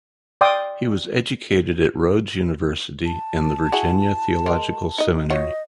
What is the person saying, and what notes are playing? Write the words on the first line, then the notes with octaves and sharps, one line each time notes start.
He was educated at Rhodes University and the Virginia Theological Seminary.
D5 F5 G5 C6 D6 D#6
A5
E4 F#4 G#4
G#3 A#4
D#4 D#5
F#3 F4 C#5 D#5